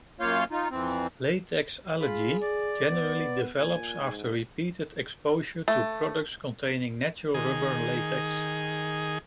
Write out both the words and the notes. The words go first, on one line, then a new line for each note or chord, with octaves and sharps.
Latex allergy generally develops after repeated exposure to products containing natural rubber latex.
F#2 A#3 F4 C#5 F5 G6
D#4 F4
F2 E3 C4
F4 G#4 B5
D5
B3
A#2 G#5
G#2
A3
D#3 G#4